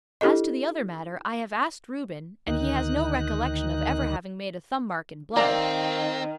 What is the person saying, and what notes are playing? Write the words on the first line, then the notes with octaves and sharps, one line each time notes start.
As to the other matter, I have asked Reuben, and he has no recollection of ever having made a thumb-mark in blood.
D4 E4 G4 A4 D#5
D2 D#3 D#4 F#6
D#3 C4 A#4 D5 F5 A#5